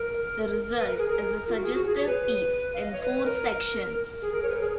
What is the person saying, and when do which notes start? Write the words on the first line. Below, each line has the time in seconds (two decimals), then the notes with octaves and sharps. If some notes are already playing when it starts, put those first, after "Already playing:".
The result is a suggestive piece in four sections.
Already playing: A#4
0.77 B4
0.87 A#4
0.98 G#4
1.09 A#4
1.48 F4
1.56 F#4
1.63 G#4
1.74 F#4
1.85 G#4
1.96 C#5
2.06 B4
2.74 F5
2.82 D#5
2.92 C#5
3.03 B4
3.15 B4
3.25 A#4
4.22 G#4
4.32 A#4
4.43 C#5
4.49 B4
4.54 A#4
4.61 G#4